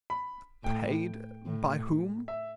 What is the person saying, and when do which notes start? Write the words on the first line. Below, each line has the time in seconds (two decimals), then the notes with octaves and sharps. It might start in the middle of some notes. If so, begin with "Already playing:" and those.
"Paid, by whom?"
0.10 B5
0.64 A2 G5
1.46 A2
2.28 E5